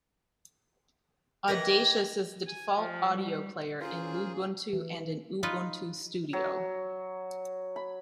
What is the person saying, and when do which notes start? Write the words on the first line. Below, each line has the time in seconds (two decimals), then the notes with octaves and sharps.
Audacious is the default audio player in Lubuntu and in Ubuntu Studio.
1.48 E3 G#3 G4 A#4 B4 F#5 G#6 A#6
2.46 G#5
2.75 F3
3.09 G3
3.81 C#4 F4 G#4 A#4 C5
4.73 E3
5.43 D#4 F4 B4
6.33 F#3
7.76 B5